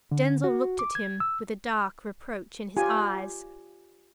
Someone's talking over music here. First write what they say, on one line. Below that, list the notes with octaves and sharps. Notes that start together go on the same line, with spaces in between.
Denzil looked at him with a dark reproach in his eyes.
D3
F#4
D6
G#6
E6
F4 G4 G#5